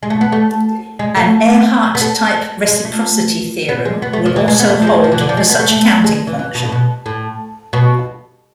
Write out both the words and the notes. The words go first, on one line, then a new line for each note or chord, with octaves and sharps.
An Ehrhart-type reciprocity theorem will also hold for such a counting function.
G#3
A3
B3
A3
G#3
A3
B3
A3
G#3
A3
B3
G#3
B3
A3
F3
E3
G#3
B3
A3
F3
G#3
F3
E3
D3
F3
G#3
B3
A3
A3
G#3
E3
E3
B2
A2
B2
A2
B2